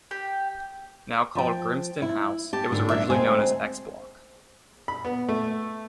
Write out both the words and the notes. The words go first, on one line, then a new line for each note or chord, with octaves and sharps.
Now called Grimston House, it was originally known as X Block.
G4
F3 G5
E4
G4 A5
G#2 D3 A#4
F#3 D4 E5
D2 G#3 C4 C5 G#5
B5
B3
A3